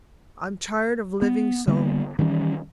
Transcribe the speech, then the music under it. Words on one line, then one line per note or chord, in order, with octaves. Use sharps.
I'm tired--of living so.
B3
D3 G3 A#3 B3
D#3 E3 G3 C#4